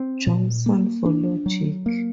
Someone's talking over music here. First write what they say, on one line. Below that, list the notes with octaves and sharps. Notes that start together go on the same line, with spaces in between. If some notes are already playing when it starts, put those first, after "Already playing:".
Johnson, for logic.
Already playing: C4
A#2
A#3
D4
F#3
A#3